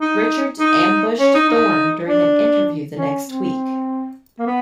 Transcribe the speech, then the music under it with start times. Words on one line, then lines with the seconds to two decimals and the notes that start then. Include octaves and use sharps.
Richards ambushed Thorn during an interview the next week.
0.01 D#4
0.60 D#4
1.20 C#4
1.34 D#4
1.50 D#4
2.08 D4
2.98 C#4
3.28 C4
4.39 A#3
4.46 B3